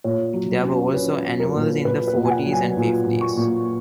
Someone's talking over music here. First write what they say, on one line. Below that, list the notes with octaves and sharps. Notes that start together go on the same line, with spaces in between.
There were also annuals in the forties and fifties.
A#2 C#5
F#3
C#4
C#4 B4
F#3
A#4
A#2
A#2 B4
B4
A#2
G#5
F#5
F#3
G#5
A#2
A#2
C#6
A#2